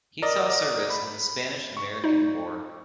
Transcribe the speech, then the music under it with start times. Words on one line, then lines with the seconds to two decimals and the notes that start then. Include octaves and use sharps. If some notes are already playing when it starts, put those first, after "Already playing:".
He saw service in the Spanish-American War.
0.22 A#4 D5 D#5
0.90 B5
1.77 C#6
2.04 D#4 D5